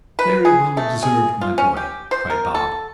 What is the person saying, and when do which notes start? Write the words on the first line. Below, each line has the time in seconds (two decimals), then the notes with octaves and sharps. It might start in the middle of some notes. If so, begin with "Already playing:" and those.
"Very well observed, my boy!" cried Bob.
0.19 B4
0.45 G#4
0.77 A3
1.03 G#4
1.41 F4
1.58 C#4
1.77 G4
2.11 C5
2.30 A#4
2.55 A4